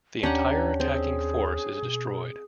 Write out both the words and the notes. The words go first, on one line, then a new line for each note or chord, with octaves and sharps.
The entire attacking force is destroyed.
D#2 C#4 D4 G4 F#5 A#5
C4 G#4
B2